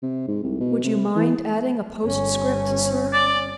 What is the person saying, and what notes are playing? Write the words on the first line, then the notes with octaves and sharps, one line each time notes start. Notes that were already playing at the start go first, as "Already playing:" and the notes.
"Would you mind adding a postscript, sir?"
C3
G#2
C2
B2
C3
E3
G1 C#4
D5